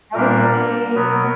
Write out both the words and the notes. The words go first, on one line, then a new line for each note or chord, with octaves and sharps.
I would say
A#2 G3 A#3 D4 A#4
B2 F#3 B3